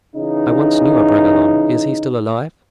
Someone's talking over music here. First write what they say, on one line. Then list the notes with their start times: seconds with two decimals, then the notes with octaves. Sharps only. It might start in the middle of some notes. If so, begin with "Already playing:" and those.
"I once knew a Bragelonne--is he still alive?"
0.16 C#3 E3 D#4